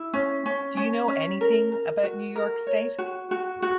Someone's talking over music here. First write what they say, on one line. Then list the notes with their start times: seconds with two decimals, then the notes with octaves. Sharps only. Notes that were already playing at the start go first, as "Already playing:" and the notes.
Do you know anything about New York State?
Already playing: E4
0.13 C#4
0.46 C#4
0.77 C#4
1.08 C#4
1.41 A#4
1.72 A#4
2.03 F#4
2.36 A#4
2.67 C#5
2.98 F#4
3.31 F#4
3.62 F#4